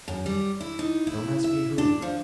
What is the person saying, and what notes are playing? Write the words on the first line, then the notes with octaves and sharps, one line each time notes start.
Don't ask me who.
F#2
G3
E4
D#4
E4
E5
D4
F3